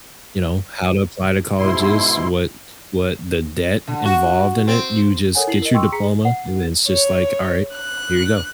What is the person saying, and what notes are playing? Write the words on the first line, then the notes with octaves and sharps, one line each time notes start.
you know, how to apply to colleges, what what the debt involved in it, you just get your diploma, and then it's just like, "Alright, here you go."
G#2 B2 E4 C6
D3
F#4
C4
A4 A#4 C#5 F#5 G#5
E4 C7 F#7
A#4 D#5
G5 C6 C#6 E6
G#4 A#5 B6 C#7
F#5
C#5
F#6